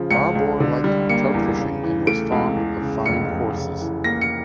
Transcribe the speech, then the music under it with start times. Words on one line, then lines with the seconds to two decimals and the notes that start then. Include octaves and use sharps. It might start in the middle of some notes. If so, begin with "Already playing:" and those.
Barbour liked trout fishing and was fond of fine horses.
Already playing: C#3 F3
0.11 C#2 C#7
0.35 C#2
0.60 D3
0.84 G3
1.09 A#3 C#7
1.34 E2
1.59 C#3
1.83 E3
2.07 A3 D7
2.32 C#2
2.56 E2
2.81 C#3
3.06 F1 C#7
3.30 F1
3.55 C#3
3.81 E3
4.04 A#3 A#6
4.21 C#7